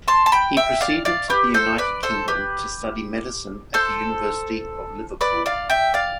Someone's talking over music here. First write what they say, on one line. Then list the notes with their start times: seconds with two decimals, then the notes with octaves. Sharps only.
He proceeded to the United Kingdom to study medicine at the University of Liverpool.
0.08 A5 C6
0.26 A5
0.32 G5 B5
0.57 E5 G5
0.81 D5 F5
1.05 D5 F5
1.30 G4 B4
1.54 A4 C5
1.78 B4 D5
2.03 A4 C5
2.28 G4 B4
3.74 A4 C5
5.21 B4 D5
5.46 D5 F5
5.70 E5 G5
5.94 D5 F5